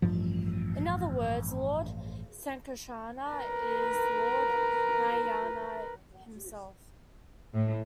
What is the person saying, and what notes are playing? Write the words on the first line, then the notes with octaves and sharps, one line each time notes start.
In other words, Lord Sankarshana is Lord Narayana himself.
A1 G2 F3
A#4 B4
A2